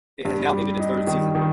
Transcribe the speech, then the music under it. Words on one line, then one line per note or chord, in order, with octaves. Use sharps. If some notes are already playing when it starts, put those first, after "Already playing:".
It has now ended its third season.
G2
G3
D#4
D#3
D#3